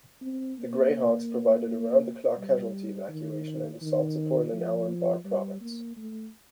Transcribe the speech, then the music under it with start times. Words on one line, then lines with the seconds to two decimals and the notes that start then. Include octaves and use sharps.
The Greyhawks provided around-the-clock casualty evacuation and assault support in Al Anbar Province.
0.22 C4
0.59 A#3
2.37 G3
3.09 D#3
3.82 D#3
4.53 F3
5.25 G3
5.61 A#3
5.97 A3